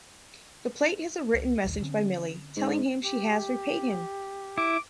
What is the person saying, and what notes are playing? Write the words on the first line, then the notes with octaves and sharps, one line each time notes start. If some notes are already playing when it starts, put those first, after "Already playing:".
The plate has a written message by Milly, telling him she has repaid him.
C#2
A#1 D#2 D#3
D3 C4 C#4
G#2
G4
E4 D6